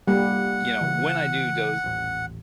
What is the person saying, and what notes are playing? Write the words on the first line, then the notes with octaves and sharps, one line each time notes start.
you know, when I do doze
G3 A#3 F#5
C#3 E3
D#1 A1